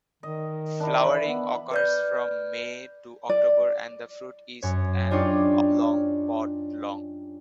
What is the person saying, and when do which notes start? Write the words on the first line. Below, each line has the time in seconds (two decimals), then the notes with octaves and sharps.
Flowering occurs from May to October and the fruit is an oblong pod long.
0.23 D#3 D#5
0.80 D4 E4
1.02 E3 B5
1.27 B3
1.71 B4 D5 G6
3.29 D5
4.62 F#2 C#5
5.11 D4 D#4 F4 G4 C#5 D5